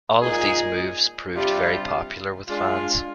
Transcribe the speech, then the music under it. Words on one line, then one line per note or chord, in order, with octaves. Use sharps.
All of these moves proved very popular with fans.
A#2 G#3 D#4 G#4
C3 G3 D4 F4
G#3 D4 F4